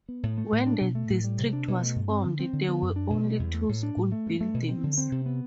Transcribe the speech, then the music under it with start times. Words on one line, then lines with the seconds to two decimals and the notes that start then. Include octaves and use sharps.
When the district was formed, there were only two school buildings.
0.09 B3
0.23 A2
0.38 A3
0.52 A2
0.67 D4
0.81 B2
0.95 A3
1.10 A2
1.24 G3
1.39 C3
1.53 D4
1.68 B2
1.82 A3
1.96 G2
2.10 C4
2.24 D3
2.39 C4
2.53 D3
2.68 B3
2.82 F#2
2.96 D4
3.10 B2
3.25 G3
3.39 E2
3.54 A3
3.69 A2
3.83 D4
3.96 A2
4.12 A3
4.26 G2
4.41 A3
4.54 B2
4.68 C4
4.83 D3
4.98 C4
5.12 C3
5.26 B3